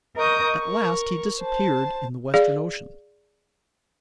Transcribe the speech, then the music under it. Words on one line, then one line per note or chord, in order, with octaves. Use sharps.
At last he disappeared in the western ocean.
A#4 D#5 C#6 D#6 G6
A#4 C#6
C5 A5
G#4 D5 F5